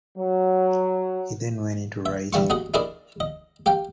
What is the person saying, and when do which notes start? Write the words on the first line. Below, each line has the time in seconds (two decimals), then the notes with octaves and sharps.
He then went into writing.
0.17 F#3
2.06 E5
2.33 G2 E3 G3 F5 C#6
2.50 D#4 F#4 G#4 D#5
2.74 D#4 E4 G#4 A#4 D5 D#5
3.20 D#5
3.66 G4 F5 G5